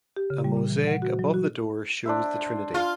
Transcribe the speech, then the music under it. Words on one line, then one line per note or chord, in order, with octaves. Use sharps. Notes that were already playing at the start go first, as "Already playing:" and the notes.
A mosaic above the door shows the Trinity.
G4
C#3
G3
A#2
E3
F#5
F#4
F#3
F#4
D4 C5 E5
F4